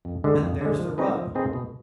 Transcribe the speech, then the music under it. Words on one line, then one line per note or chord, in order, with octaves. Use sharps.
And there's the rub.
F2
D3 G#3
F2
D3 G#3
F3
C4 D#4 G#4 B4
F3
C4 D#4 G#4 B4
B2